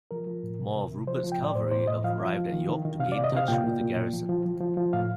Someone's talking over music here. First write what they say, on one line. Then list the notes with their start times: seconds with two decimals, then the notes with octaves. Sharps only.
More of Rupert's cavalry arrived at York to gain touch with the garrison.
0.11 F3 A#4
0.27 F3
0.43 A2
0.59 C3
0.75 C3
0.91 C3
1.07 F3 C5
1.24 F3
1.32 G5
1.40 A2 D5
1.55 A2 C5
1.71 A2 C5
1.87 A2 D#5
2.04 F3 F5
2.21 F3
2.36 F3
2.52 D#3
2.69 D#3
2.85 D#3
3.00 C3 F5
3.12 C3 D5
3.24 D#5
3.32 C3 F5
3.48 A#2 G5
3.64 A#2
3.81 A#2
3.97 A#2
4.13 F3
4.29 F3
4.45 F3
4.60 F3
4.77 F3
4.93 A2 F5